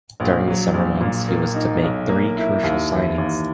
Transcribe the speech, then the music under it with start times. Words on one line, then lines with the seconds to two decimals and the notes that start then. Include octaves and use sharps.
During the summer months he was to make three crucial signings.
0.20 A#1
0.47 F#3
0.74 A#1
1.00 A#2
1.28 A#3
1.54 D#4
1.83 B1
2.09 A#3
2.37 E4
2.63 D#2
2.91 E3
3.18 D#2